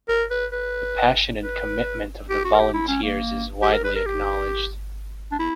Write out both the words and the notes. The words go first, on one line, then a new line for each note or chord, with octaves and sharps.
The passion and commitment of the volunteers is widely acknowledged.
A#4
B4
B4
B4
G4
F#4
A#4
G4
E4
C#4
A#3
G4
A#4
B4
A#4
G4
D4
E4